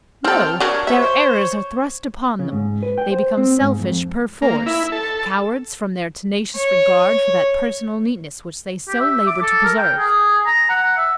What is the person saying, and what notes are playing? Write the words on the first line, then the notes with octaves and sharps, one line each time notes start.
No! their errors are thrust upon them; they become selfish per force, cowards from their tenacious regard for that personal neatness which they so labour to preserve.
C3 C4 A4 G5 F6
F#3 D4 A#4 C#5 C#6
C5 C#5 E5
C5
C#3
G#2
B4
G5
C5
C4
G#2
F2
A#3
E4
A4
C#5
G4
E5
D6
A4
A#4
G5
G#4
A#5
F#5
E5